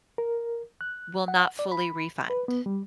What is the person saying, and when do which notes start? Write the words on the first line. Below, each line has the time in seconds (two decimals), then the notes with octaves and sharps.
will not fully refund.
0.18 A#4
0.81 F#6
1.28 F#5
1.59 D5
1.72 B5
2.30 B4
2.48 B3
2.66 G3